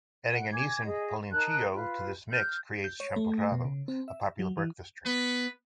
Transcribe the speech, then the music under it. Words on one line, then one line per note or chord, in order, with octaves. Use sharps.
Adding anise and "piloncillo" to this mix creates "champurrado", a popular breakfast drink.
F#5
G#5 D6 G#6
G#4 D#5
D#4 A#4 A5 F#6
F4 B4
F6 G6
G6
C#5
A3
B2
C#3
C4
E5
F#3
E3
B3 B4